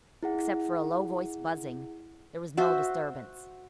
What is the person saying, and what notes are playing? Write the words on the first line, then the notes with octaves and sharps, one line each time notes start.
Except for a low- voiced buzzing, there was no disturbance.
E4 G#4 F#5
F#4 C5 E5